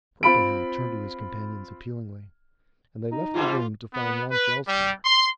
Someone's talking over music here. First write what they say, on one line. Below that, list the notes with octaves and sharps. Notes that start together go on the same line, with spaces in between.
Torpenhow turned to his companions appealingly, and they left the room to find lunch elsewhere.
C4 F4 B5 D7
D#4
G#2 E3 G3 F4
B3
B4
G3
C6